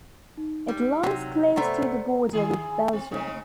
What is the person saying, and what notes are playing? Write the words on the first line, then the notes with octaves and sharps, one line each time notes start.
It lies close to the border with Belgium.
D#4
G3
C3 F#3
C3 A3 B3 C5 D5 A#5
D#3 E4 G#4
C4
C#3 C4 D#4